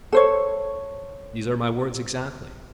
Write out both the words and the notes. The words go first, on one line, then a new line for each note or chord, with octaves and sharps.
"These are my words exactly."
A4 C5 C#5